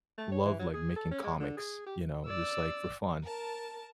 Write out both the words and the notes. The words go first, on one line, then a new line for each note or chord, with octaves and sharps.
love, like, making comics, you know, just, like, for fun
A3
C#5
E3
F#3
G#4
A4
C#4
G#3
D3
G#4
G4
D5 E6
A#4 A5